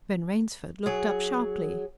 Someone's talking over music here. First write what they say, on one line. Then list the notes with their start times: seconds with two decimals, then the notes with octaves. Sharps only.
Ben Rainsford looked up sharply.
0.86 F#3 G#4